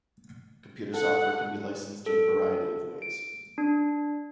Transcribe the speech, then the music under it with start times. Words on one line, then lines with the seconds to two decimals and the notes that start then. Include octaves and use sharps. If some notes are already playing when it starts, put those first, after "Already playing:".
Computer software can be licensed in a variety of ways.
0.94 A4 F#5
2.06 A4
3.02 D7
3.58 D4